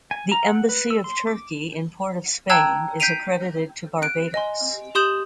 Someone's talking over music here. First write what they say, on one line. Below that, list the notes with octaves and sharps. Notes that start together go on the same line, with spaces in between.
The Embassy of Turkey in Port of Spain is accredited to Barbados.
G#5
A#5
F#5
B4
E6
C6
D6
G5 A5 A#5 E6 F#6 G#6
G6 B6 C7 D7 D#7 F7
F#6 D7
D#5 G#5 C6
G4 C6 D#6 G6 E7 F#7